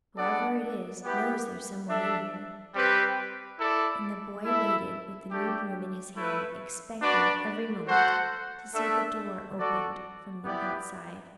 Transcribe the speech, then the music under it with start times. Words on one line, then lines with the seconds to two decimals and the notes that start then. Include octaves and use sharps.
"Whoever it is, knows there's someone in here." And the boy waited with the new broom in his hand, expecting every moment to see the door opened from the outside.
0.17 B3 D4 A4 D5 F#5
1.02 B3 E4 G4 B4 F#5
1.88 D4 A4 E5
2.74 G3 C4 G4 B4
3.59 E4 A4 D5
4.44 E4 A4 E5
5.30 A3 D4 G4
6.16 A3 E4 B4
7.01 D4 F#4 B4 D5
7.87 F#4 A4 C5 F#5
8.72 A3 D4 A4 E5
9.58 F#4 A4 D5
10.43 B3 E4 G4 B4 D5